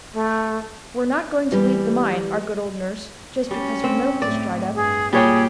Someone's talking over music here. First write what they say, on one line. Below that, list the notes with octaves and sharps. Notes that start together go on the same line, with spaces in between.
We're not going to leave the mine, our good old nurse, just because her milk is dried up!
A3
E3 G3
G3 C#4
C4
A2 D5
G2 G#4
A#2 G3 G4 G#4 C#5 G5